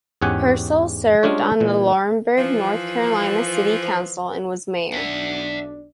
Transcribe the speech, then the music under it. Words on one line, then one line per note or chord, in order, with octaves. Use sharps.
Purcell served on the Laurinburg, North Carolina city council and was mayor.
E2 G#2 C#4 G4 F#5 G#5
G3 G#3 C#4 D4 F4 C#5
A#2 E3
E3 F3
B1 D4 E5 F#5